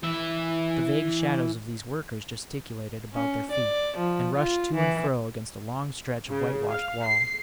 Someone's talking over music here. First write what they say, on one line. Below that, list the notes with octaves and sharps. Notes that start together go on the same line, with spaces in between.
The vague shadows of these workers gesticulated about their feet, and rushed to and fro against a long stretch of white-washed wall.
E3 E5
C#4
D5
F3
F4
E3
C#3
F5
C7